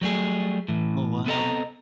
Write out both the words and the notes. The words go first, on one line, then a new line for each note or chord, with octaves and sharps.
Oh, wow.
F#3 G3 A3 G#4
A2 E3
B3 C4 A4 D5 D#5 A#5